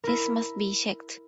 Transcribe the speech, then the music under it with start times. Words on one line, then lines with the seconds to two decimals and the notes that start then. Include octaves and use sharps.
This must be checked.
0.04 E4 A#4